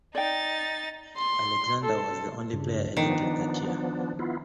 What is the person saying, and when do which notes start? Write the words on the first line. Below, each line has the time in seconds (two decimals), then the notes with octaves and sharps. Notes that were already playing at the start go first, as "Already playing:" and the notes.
Alexander was the only player elected that year.
0.15 D#4 D5 G5 A6
1.17 C6
1.84 A4
2.53 G2 C#3
2.97 D#3 F3 B3 D4
4.19 B3 E4 F4